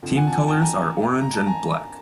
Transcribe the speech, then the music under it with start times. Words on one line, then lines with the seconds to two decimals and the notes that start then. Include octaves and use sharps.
Team colors are orange and black.
0.02 F2 D3 F3
0.17 F#5 G#5
0.27 A5
0.32 F#5 G#5
0.48 G5 A5
0.62 G#5 A#5
1.22 A#5
1.34 A5
1.47 G#5 A#5